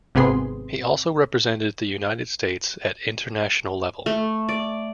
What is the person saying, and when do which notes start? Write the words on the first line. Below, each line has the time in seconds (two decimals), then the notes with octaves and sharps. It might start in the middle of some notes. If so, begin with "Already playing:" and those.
He also represented the United States at international level.
0.15 G#1 C3 B3 G#4 C6
4.06 A3
4.49 D5